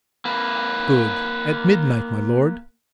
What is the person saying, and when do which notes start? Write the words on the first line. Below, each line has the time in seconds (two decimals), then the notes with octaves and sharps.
"Good! at midnight, my lord."
0.25 A#3 B4